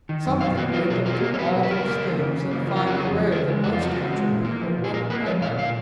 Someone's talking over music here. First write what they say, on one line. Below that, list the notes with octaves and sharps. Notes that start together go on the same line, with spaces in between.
Something made them do all these things in a finer way than most country people would have done them.
D#3
F#2
B2 F5
A#3 F#4
F#3 F4
B2 G#4
B2 A#4
G#4
A#3 A#4
C#5
F#3 B4
B2
B4
C#3 A#4
A#3
F3
C#3
C#3
A#3
F3
F4
C#3 F#4
F2 G#4
F3
C#3 A#4
G#3
F2 F#4
F4
F3 F#4
C#3
G#3
A#2
A#3
F3
A#2
G#4
A#2 A#4
A#3 B4
F3 C#5
A#2 F5
A#2 F5